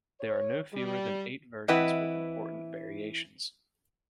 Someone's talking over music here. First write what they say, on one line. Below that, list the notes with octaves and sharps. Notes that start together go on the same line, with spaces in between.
There are no fewer than eight versions with important variations.
C#5
G3
E3 C4 E4 B4 D#5 F#5